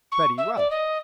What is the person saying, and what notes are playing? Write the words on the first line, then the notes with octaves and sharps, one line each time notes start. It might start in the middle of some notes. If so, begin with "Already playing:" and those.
Very well!
C#6
E5
D5
D#5